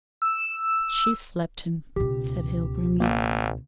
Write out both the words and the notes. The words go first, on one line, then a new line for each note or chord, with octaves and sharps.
"She slapped him," said Hale grimly.
E6
C#2 B2 G4
A1 A#3